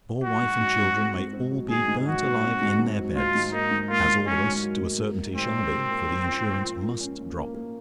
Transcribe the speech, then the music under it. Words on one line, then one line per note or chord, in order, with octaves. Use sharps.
Your wife and children may all be burnt alive in their beds--as all of us to a certainty shall be, for the insurance MUST drop.
F#3 F#4
G#2
G#2
C4
C4
C4
C4
F#3
G#2 G#4
G#2
F#3 F#4
G#2
C4
G#2
G#2
F#3
G#2 F4
G#2
A#3 D#4
G#2
A#3 F4
G#2
F#3 C#4
G#2
F#3
G#2
G#2
F#3
G#2 C4
F#3
G#2
A#3
C#4
F3
A#2
F3
F3
C#4
A#2
A#3
A#3